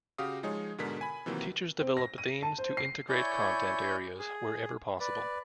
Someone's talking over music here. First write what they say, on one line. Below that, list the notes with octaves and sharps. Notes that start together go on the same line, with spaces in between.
Teachers develop themes to integrate content areas wherever possible.
C#3 F#4 G4 F5 D#6
F3 G#3 D#4 G#4 C#5
G#2 B2 D3 G#3 A#4 B6
G#5 B5
C3 D#3 E3 F#3 A#3
C4
A#6
D#7
A5
C5
C7
E4 C#5 D5 G#5 C#6 G6
G#4
B4 D5